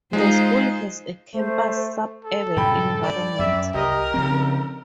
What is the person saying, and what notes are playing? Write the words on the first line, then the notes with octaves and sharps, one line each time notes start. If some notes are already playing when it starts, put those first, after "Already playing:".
The School has a campus suburban environment.
G#3 D#4 F4 C5
A3 C5
A4
G2 A#2 C#3 G5 B5
G2 D5
F#2 E5
C2 G4 A#4 D#5
C#3 F3 C4 D#4